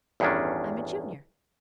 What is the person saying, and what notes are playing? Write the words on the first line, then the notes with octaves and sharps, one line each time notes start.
I'm a Junior.
A1 E2 G2 D#3 C#4 D4